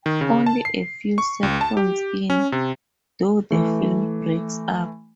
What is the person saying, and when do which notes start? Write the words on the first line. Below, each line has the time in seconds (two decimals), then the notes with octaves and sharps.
Only a few seconds in, though, the film breaks up.
0.06 D#3
0.21 C#3
0.46 A5
0.65 C7
1.18 C#6
1.43 C#2
1.61 A5
1.77 G4
2.30 C#4
2.52 C3
3.51 E3 A3